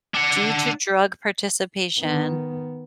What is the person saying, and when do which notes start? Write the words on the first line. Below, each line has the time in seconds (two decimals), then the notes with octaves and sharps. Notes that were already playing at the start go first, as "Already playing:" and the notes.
due to drug participation.
0.14 D4 F#5
1.99 D#3 B3